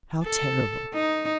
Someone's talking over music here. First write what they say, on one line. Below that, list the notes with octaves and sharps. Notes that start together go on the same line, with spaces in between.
How terrible!
A4
D#4